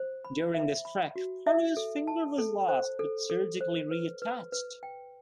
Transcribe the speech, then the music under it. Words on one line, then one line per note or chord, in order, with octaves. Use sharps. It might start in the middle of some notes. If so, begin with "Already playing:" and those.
During this trek, part of his finger was lost but surgically reattached.
Already playing: C5
B5
E5
B5
F#4
E5
A4
A5
A4
C5
A4
A4
C5
B4
B4
B4
G5